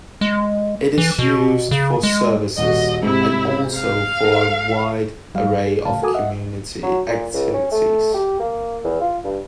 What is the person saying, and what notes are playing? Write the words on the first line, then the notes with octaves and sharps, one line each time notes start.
It is used for services, and also for a wide array of community activities.
G#3
E3
B2
C#3
G#3
D#1 F#4 D#5
G#2 C3 E4
F5
A4 A#4
F#2 G3 F5
G#4
A2 C#3 F5 A5
F#4 A4 A#4 G#5 D6 D#6
D#5 E5 F#5
F#3
A#2
C#2
C#4
A3
G4
A#3
E2
F4
G2